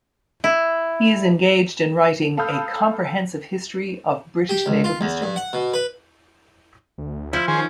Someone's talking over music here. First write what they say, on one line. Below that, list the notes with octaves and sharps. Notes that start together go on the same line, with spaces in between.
He is engaged in writing a comprehensive history of British naval history.
E4
A4 F5 B5 D#6 F6 G6
G4
C#2
F4
E2
G2
F#5
B2
B4
D2
F3 E4
D#3 C#4 G#4 C5